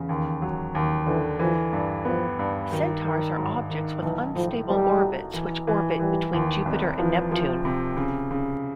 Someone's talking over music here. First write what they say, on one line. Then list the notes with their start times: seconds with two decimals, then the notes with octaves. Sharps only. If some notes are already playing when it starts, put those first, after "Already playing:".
Centaurs are objects with unstable orbits which orbit between Jupiter and Neptune.
Already playing: E2 C#3
0.09 D#2
0.42 F#3
0.75 D#2
1.07 D3 E3
1.39 E3 F3
1.73 G2
2.05 F3 B3
2.39 G2
2.72 D#3 F#3
3.04 D#3
3.37 G#2 F#3
3.70 D#3
4.02 B1 E3
4.35 A2 F3
4.69 B1 G3
5.01 F#3
5.34 E3
5.67 E3
5.99 E3 G3
6.33 D#2
6.65 C2 F#3
6.98 E3 F3
7.32 F3
7.65 C3
7.97 C#3
8.31 C#3